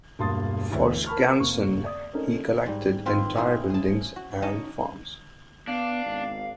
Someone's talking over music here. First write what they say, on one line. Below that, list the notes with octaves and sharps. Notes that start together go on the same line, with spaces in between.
For Skansen, he collected entire buildings and farms.
E1 G2 A#3 C6 D#6 A6
D2 E3 E4
A#4 A5 B5 C#6 F6
F1 A#3 C4 C#6
D5 D#6
A3 C4 C#4 D#4 A#4
G#2 G3
D#3 C4 F4 B4 C5
C4 C#4 E4 F4 G#4 C5
G#4 A5
F#4
C#4 D#4 C#5 D#5 A5
B3 D4 F5
G#1